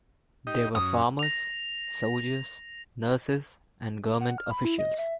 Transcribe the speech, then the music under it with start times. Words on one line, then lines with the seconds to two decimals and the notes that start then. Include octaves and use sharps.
They were farmers, soldiers, nurses, and government officials.
0.47 D#4 G4 D#5
0.75 F#2 C#4 D#6
1.19 A#6 F7
4.21 F#5
4.38 F6
4.51 B5
4.65 E4
4.78 D#5
4.98 E5